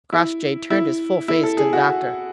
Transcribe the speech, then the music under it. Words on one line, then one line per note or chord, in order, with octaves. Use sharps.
Crossjay turned his full face to the doctor.
E4
E4
E4
A4
G#4
F#4